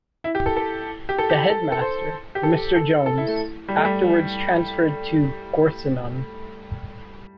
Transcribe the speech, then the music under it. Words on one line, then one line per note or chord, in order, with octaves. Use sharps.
The Headmaster, Mr. Jones, afterwards transferred to Gorseinon.
E4
G4
A4
A4
G4
A4
G4
A4
A4
C5
G4
A4
A4
A4
E4
A3
G3
A3
G3